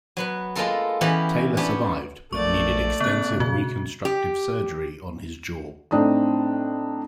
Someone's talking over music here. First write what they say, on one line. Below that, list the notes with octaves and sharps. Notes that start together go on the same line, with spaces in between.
Taylor survived, but needed extensive reconstructive surgery on his jaw.
F#3 B3 B4
G#3 A#3 B3 F4 A4 A#4
E3 B3 C#4 G4 A#4
B3 C#4 D4 G4 C#5
A#1 A3 D5 C#6
C#3 B3 F#6
B2 F#4
G4
A2 C4 D4 D#4 D#6